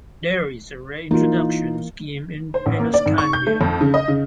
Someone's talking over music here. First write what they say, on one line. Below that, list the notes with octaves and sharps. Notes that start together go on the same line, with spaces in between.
There is a re-introduction scheme in Fennoscandia.
E3 A#3 D#4 F4
C5
A1
A#3
D5
G#1
C#6
G6
A3
F2
C#3
D#5
C#3